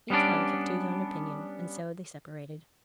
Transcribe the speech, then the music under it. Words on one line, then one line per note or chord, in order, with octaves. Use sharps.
Each one kept to his own opinion, and so they separated.
G3 B3 C#4 D4 D5